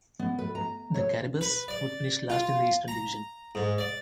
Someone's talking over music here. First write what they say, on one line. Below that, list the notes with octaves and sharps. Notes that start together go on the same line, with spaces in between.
The Caribous would finish last in the Eastern Division.
B3
B4
A#5
C#5
B4
D5
F4
A#5
G#2
D5